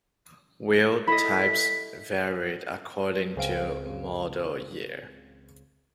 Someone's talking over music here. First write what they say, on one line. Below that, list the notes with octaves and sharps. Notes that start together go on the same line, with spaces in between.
Wheel types varied according to model year.
E4 A4 D#5 B5 B6
C#2 C#3 C4 F5 D7